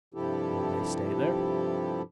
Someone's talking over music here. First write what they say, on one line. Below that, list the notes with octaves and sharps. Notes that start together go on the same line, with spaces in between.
"Will they stay there?"
G2 C3 F3 E4 G4 A4